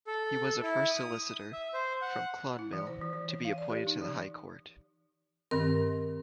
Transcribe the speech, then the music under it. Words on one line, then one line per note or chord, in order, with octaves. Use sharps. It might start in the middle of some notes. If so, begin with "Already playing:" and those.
He was the first solicitor from Clonmel to be appointed to the High Court.
A4
E4
D#6
E5
C5
F#5
E4
E3
C5
E3
E3
C#5
F5
D5
G4
D#4
E3
G2 D#3 C4 A#4